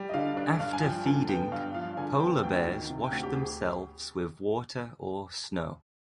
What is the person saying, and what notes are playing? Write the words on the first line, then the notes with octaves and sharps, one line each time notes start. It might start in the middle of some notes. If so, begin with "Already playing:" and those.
After feeding, polar bears wash themselves with water or snow.
Already playing: G3
D#5
D3 F5
D4
G2 F5
G#5
F3 G5
D3 G#5
B3 G5
G2 F5
F3 F5
D3 G#5
B3 G5
D2 G5
D#3
C3
G5
D2
G4
D2 G#4